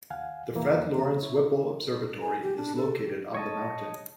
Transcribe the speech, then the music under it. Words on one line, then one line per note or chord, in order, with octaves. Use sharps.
The Fred Lawrence Whipple Observatory is located on the mountain.
D#2 F5 F#5 G#5
F2 E3 A#3
E4 C#5
G#5
G4
D4
A4
G4
C#5 D#5 A5